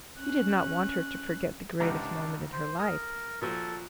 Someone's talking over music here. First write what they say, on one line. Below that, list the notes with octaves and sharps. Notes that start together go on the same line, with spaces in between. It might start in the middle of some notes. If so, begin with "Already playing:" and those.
He did not want her to forget the greatest moment in her life.
C#4 F#6
C#2 G#2 C3 D4
C5
A#4 D#6 F6
A#2 F3 F#4 A4